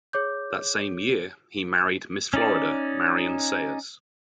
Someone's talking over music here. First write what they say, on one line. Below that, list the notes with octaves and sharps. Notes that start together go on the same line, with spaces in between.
That same year, he married "Miss Florida" Marion Sayers.
G#4 C#5 D6 G6
C#4 D#4 D5